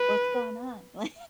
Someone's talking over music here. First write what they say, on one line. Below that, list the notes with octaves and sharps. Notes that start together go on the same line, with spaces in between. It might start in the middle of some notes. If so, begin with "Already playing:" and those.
"What's going on?" Like
Already playing: B4